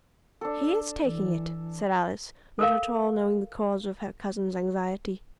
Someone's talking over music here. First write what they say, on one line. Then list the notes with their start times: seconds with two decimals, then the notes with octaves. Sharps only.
"He is taking it," said Alice, not at all knowing the cause of her cousin's anxiety.
0.41 D4 A4
1.03 E3
2.59 A4 A#4 F5